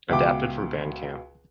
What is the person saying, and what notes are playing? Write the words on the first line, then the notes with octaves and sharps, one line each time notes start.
Adapted from Bandcamp.
C#2 B2 E5 F#5 G5 D6